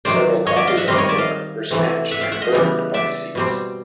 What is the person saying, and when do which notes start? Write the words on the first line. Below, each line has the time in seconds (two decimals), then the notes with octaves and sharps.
Several copies of the book were snatched and burned by Sikhs.
0.05 C3 D#3 F#3 C5 D5
0.47 C#5 D#5
0.56 D5 E5
0.67 D#5 F5
0.77 E5 F#5
0.88 D#3 G3 C4 D#5 F5
0.98 C#5 D#5
1.09 D5 E5
1.18 D#5 F5
1.71 C3 E3 A3
2.11 E5 F#5
2.21 F5 G5
2.32 E5 F#5
2.42 D#5 F5
2.52 C#3 E3 G3 B3
2.94 D5 E5
3.35 B2 G3 C4